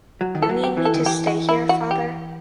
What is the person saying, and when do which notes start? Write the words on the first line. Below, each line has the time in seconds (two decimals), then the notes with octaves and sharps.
Do you need me to stay here, father?
0.21 F#3
0.35 D#3
0.42 E3 A4
0.49 F#3
0.64 G4
0.77 E3
0.85 A4
0.94 D#3
1.05 E3 G4
1.27 F#4
1.49 E4
1.69 F#4
1.91 G4